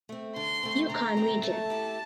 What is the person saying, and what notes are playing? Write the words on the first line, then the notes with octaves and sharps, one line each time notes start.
Yukon region.
A3 C4
D3 C6
A3 C4
D3 A#5
A3 C4
A3 A5
E4 G4